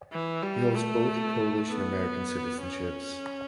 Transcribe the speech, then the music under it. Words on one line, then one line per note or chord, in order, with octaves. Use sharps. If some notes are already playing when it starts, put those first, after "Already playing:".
He holds both Polish and American citizenships.
E3
G3
A3
B3
C#4